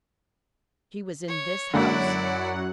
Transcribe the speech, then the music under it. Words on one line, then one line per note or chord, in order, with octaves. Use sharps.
She was in this house.
C#5
F#2 D3 F#3 G#3 A#3 E4 D5 F#5